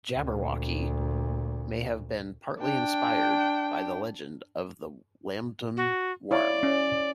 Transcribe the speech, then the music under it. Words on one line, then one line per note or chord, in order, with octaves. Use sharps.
"Jabberwocky" may have been partly inspired by the legend of the Lambton Worm.
D2 A#2
D4 G5
F#4
E4 C#5 D5 F5
C#4